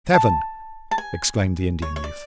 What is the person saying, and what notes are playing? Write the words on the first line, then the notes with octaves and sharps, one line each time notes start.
"Seven!" exclaimed the Indian youth.
A5
A5
G#5
C#5
C#5
D5